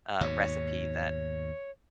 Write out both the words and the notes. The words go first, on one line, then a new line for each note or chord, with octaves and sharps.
uh, recipe that
D#2 G#2 B2 C#5